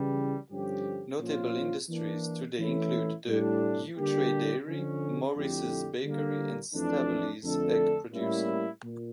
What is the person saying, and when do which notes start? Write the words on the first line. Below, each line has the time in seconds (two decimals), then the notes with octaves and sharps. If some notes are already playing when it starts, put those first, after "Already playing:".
Notable industries today include The Yew Tree Dairy, Morris's Bakery and Staveley's egg producer.
Already playing: C#3 E3 G3
0.51 G2 D3 F3 C#4 G4
1.20 A#2 F3 C#4 F4
1.89 E3 A#3 D4
2.58 E3 A3 C#4 E4
3.28 A2 G3 D4
3.98 D3 G3 A#3 D4 G4
4.66 D3 F3 C#4
5.36 F2 D3 A3 E4 G4
6.04 D3 G3 A#3
6.74 F2 E3 A3 D4
7.44 F2 D3 A3 D4 A4
8.13 A2 G3 A#3 C#4 E4
8.82 A#2